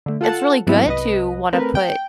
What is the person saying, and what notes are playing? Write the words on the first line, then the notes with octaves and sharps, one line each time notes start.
it's really good to wanna put
D3 A3
F4 A4 F#5 A5
G#2 F#3 G#3 B3 C4 E4
C2 B4 D#5
A3 C4 A#4 B4
G5